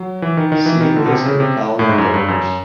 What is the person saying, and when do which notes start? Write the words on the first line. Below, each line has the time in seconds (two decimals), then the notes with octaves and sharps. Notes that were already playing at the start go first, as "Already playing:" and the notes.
See List of Halland Governors.
Already playing: F#3
0.22 E3
0.37 D#3
0.52 D#3
0.66 E3
0.81 D#3
0.96 D3
1.06 B2
1.10 C3
1.25 C#3
1.40 C3
1.79 A2
1.89 G#2
1.98 F#2
2.14 G2
2.28 F#2